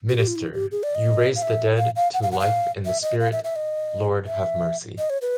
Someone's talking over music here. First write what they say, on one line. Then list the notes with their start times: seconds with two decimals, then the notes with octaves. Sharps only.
Minister: You raise the dead to life in the Spirit: Lord, have mercy.
0.09 F#4
0.18 G4
0.27 F4
0.36 E4
0.54 G4
0.72 G#4
0.83 D5
0.95 D#5
1.36 F5
1.42 E5
1.78 F5
1.96 F5
2.14 F#5
2.22 F5
2.32 F#5
2.40 F5
2.85 E5
3.02 D#5
3.20 F5
3.32 E5
3.44 E5
3.56 D#5
4.27 E5
4.98 D#5
5.10 C#5
5.22 B4